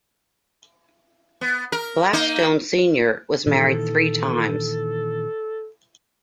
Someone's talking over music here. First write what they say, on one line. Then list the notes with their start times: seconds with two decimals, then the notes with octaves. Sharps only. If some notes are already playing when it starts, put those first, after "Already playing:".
Blackstone Senior was married three times.
1.41 B3
1.72 A#4
2.13 A#3 D#4
3.47 A#2 D#3 E3 A4